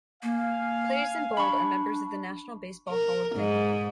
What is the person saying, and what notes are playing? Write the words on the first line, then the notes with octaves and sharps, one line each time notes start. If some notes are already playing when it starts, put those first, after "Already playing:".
Players in Bold are members of the National Baseball Hall of Fame.
A#3 F5 G#5
D4 B5 C#6
A#4
G#2